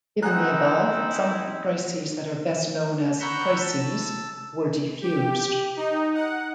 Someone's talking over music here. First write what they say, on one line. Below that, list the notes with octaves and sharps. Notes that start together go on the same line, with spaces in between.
Given the above, some of the crises that are best-known "as crises" were defused.
C4 D#4 E4 F#5 G#5 A#5 F#6
F#5 A#5 B5 C#6 E6 G6
A5 E6
G4
D#4
F#5